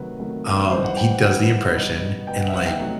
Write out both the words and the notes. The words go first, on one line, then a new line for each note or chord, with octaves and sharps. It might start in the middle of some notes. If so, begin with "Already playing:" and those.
um, he does the impression and, like
Already playing: C3 D#3 F#3 A3 B4
C3 D#3 F#3 A3
E3 G3 B3 D#4 C5
F#5
G5
F#5
E3 G3 B3 D#4 F#5
B2 G3 B3 D#4
B2 G3 B3 D#4 G5
F#5
E5
F#5
G5
C3 F#3 A3 D#4 F#5